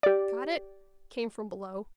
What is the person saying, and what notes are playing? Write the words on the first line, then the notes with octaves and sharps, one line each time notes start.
"Got it?" came from below.
G4 D5